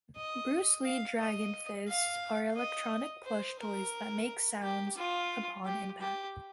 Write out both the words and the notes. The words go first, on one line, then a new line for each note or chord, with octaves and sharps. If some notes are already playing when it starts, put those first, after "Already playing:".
Bruce Lee Dragon Fists are electronic plush toys that make sounds upon impact.
D#5
F5
D#5
F5
D#5
C5
A#4
G4
F4
G4
G4